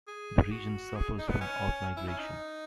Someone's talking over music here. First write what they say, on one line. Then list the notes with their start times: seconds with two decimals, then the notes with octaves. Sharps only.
The region suffers from out-migration.
0.07 G#4
0.52 F#4
0.96 G#4
1.18 D#4
1.29 B3
1.41 C#4
1.97 E4
2.08 C#4
2.19 D#4